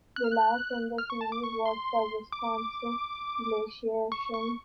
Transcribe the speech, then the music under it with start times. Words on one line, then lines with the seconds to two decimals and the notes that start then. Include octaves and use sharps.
The last in the series was the Wisconsin glaciation.
0.16 F#6
0.24 F6
0.32 F#6
0.98 F6
1.10 C#6
1.21 A5
1.32 D6
1.43 C#6
1.65 C6
2.32 D6
4.12 C#6
4.34 C#6